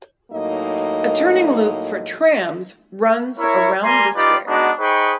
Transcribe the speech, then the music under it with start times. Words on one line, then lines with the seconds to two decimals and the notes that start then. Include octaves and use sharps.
A turning loop for trams runs around the square.
0.32 A2 F#3 A#3 D#4 D#5
3.39 E4 A#4 C#5
3.83 G3 A#3 G#5 A#5 C6
4.15 D#4 F4 G4 B4 D5
4.47 G#3 B3 D4 D#4 F#4
4.79 D#4 G#4 B4 C5 G5 C#6